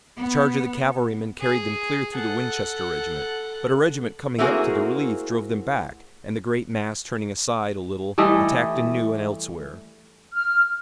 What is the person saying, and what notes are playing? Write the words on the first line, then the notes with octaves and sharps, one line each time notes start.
The charge of the cavalrymen carried them clear through the Winchester regiment, but a regiment coming up to the relief drove them back, and the great mass turning aside a little attacked anew and elsewhere.
B3
G#4
A4 F#5
A3 A#3 C4 E4 F#4 G#4
E3 G3 A3 D#5
F6